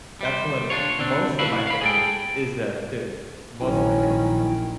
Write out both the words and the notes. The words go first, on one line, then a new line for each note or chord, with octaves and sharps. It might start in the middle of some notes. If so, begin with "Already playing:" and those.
that’s when m most of my family is there too. Most of my family.
G3 C5
D4 F4 C#5
D3 C4 D4
A2 E4 F#4 F5 B5
F5 B5
G#4 A4 G5
A#1 D#3 F#3 C#4 E4 G5